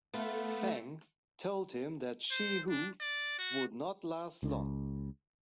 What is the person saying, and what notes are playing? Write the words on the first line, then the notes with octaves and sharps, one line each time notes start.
Feng told him that Shi Hu would not last long.
A3 B3 F4
C5
D4
D5
F#4
C#2